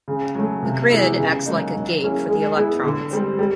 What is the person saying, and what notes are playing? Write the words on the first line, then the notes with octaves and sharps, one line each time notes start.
The grid acts like a gate for the electrons.
C#3
F#3 A3
C3
E3 G#3 B3 E4
C#3
F#3 A#3 D#4
F#3
A#3 C#4 E4 G#4
G#3
B3 E4 G#4
D3
G3 C4
G3